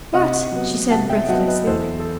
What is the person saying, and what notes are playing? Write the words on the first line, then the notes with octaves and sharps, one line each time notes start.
"What?" she said breathlessly.
C3 D#5 F#5
F#3 B3
C3 F#5 A5
E5 G5
F#3 B3 D#5 F#5
B4 D#5
E2 A4 C5
A4